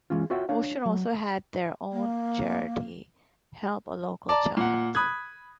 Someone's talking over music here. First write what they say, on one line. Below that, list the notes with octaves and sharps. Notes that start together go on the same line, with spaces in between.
Ocean also had their own charity, Help a Local Child.
E3 G#3 C#4 F4
F4 F#4 C#5 E5 F#5 G5
D4 C#5 F5
F#3
A#3
D5 A5 A#5 D6
A#2 F#5
B5 D#6 F#6 G#6